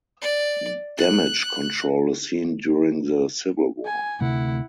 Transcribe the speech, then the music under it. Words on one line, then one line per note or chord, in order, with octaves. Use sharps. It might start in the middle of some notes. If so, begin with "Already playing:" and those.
Damage Control is seen during the "Civil War".
D5
F#6
G#5
D2 C3 A3 E4 F#5